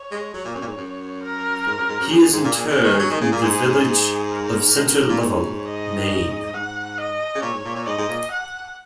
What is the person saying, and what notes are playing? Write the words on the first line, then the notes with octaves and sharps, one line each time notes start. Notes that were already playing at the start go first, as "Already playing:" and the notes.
He is interred in the village of Center Lovell, Maine.
Already playing: C#5
G#3
F#3
A#2
F#2
A#2
G#2
F#2
A#4
G#2
F#2
G#2
F#2
F#2 G#4
F#2
G#2
A#2
A#2 G#4
C#3
D#3
F#3
D#3
C#3
A#2
G#2
A#4
G#3
F#2
G#2
A#2
G#2 C#5
D#5
G#2 F#5
D#5
C#3
A#2 C#5
G#2
A#2
A#2
G#2 D#5
G#2
A#2
F#5